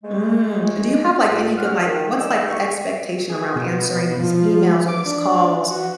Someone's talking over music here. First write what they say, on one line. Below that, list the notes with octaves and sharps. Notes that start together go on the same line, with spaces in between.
Mm, do you have, like, any good like, what's, like, the expectation around answering these emails or these calls
G#3 A3
A#2
C#5 F#5 F6
D#3
D#4 G4 D5 G5 E6
C2 D3 G#3 G4 D5 C#6
G#4
B2
F3
D6
D4
F#4